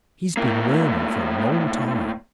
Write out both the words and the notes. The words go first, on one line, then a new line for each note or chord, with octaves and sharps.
"He's been learning for a long time."
A2 A#3